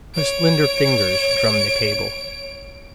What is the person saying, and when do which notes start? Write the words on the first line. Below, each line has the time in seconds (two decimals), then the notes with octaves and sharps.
Her slender fingers drummed the table.
0.14 C#5 D7